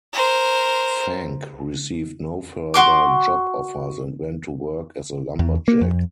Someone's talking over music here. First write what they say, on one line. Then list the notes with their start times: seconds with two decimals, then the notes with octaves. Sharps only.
Fanck received no further job offers and went to work as a lumberjack.
0.13 A#4 C5
2.74 F#4 C6 D6
5.39 E2
5.68 A#3
5.81 F2